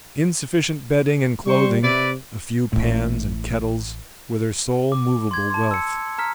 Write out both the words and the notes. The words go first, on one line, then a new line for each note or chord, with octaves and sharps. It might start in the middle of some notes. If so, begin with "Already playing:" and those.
Insufficient bedding and clothing, a few pans and kettles, were their sole movable wealth.
G3 C5 C#6
C3 E4 B4 D5
A1 A2
D6
C6 G#6
A5 C6
E6 C#7
A#5 F6 B6